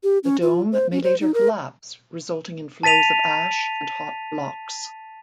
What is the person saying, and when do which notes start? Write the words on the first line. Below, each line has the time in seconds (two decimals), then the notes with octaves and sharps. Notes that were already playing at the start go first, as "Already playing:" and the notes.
The dome may later collapse, resulting in flows of ash and hot blocks.
0.03 G4
0.24 C#4
0.42 F4
0.72 C5
0.92 C#4
1.04 C5
1.20 D#4
1.34 A#4
2.83 A5 A6 B6 D#7 F7